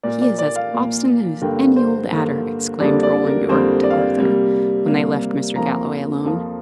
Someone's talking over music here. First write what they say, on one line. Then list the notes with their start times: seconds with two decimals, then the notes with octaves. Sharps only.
"He is as obstinate as any old adder!" exclaimed Roland Yorke to Arthur, when they left Mr. Galloway alone.
0.03 A#2 A#3 D5
0.22 D5
0.39 D5
0.56 F5
0.73 A#2 A#3
1.41 G2 D3 A#3 G5
1.76 C5
2.10 G2 D3 A#3
2.80 F2 D3 G3 A#3 D5
3.03 D5
3.26 A#4
3.49 F2 D3 G3 A#3 C5
3.83 D5
3.90 F5
3.98 D5
4.17 C3 G3 A#3
4.87 C3 G3 A#3
5.56 F2 F3 A#3 A#5
6.25 F2 F3 A#3